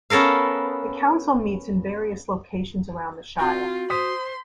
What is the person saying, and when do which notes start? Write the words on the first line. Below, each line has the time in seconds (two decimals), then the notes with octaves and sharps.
The council meets in various locations around the Shire.
0.10 B3 C#4 A4 A#4 F5
3.39 C4 F4 F#4 G6
3.90 C5 C6 D#6 B6